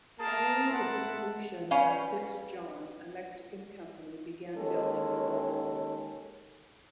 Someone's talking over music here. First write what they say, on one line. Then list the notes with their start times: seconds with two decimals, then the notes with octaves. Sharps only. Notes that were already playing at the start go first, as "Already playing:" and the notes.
Following the dissolution of FitzJohn, a Mexican company began building the Roadrunner.
0.19 A#3 G#4 A#4 A5
0.68 A2 E4 F#5 A5 C6
1.71 G3 C#4 B4 F5
4.55 D#2 G#3 C#4 A4